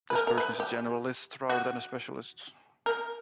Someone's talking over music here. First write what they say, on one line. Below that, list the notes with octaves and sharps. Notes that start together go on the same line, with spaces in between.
This person is a generalist rather than a specialist.
B4
A#4
A#4
B4
G4
F#4
A#4